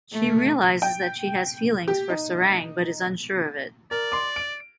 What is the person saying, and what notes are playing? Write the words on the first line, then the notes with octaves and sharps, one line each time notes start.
She realizes that she has feelings for Sarang but is unsure of it.
A3
G5
G4
D#4
A#4 D5
C6 D6
D7